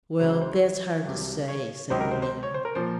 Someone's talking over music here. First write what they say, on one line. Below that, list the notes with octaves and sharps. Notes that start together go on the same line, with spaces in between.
"Well, that's hard to say," said the man.
C#2 C#3 F#3 C5
C5
C5
C#5
C2 C3 F#3
C#5
C#2 C3 D#3 F#3 C5
A#4
C5
C5
C#5
C5
A#4
A#2 F3 C5